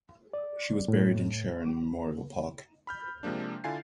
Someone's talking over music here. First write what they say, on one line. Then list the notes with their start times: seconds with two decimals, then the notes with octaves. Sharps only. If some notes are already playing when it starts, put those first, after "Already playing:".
She was buried in Sharon Memorial Park.
0.33 D5
0.88 A2
2.87 B5 F6 G6
3.23 C3 F3 G#3 A#3 D4
3.64 D3 E4 F4 G#5 A6 C7